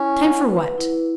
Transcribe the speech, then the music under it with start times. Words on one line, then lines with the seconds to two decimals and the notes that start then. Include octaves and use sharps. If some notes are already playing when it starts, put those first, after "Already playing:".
"Time for what?"
Already playing: C#4 E4
0.21 F#5
0.50 B4
0.78 E4